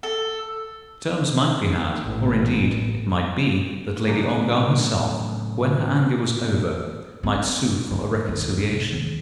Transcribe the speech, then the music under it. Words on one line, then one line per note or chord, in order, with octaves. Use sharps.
Terms might be had; or, indeed, it might be that Lady Ongar herself, when her anger was over, might sue for a reconciliation.
A4
A1
A2 C#3 F#3 D4 D#4
B3 C4
D3
D#2
E2
C3
D#2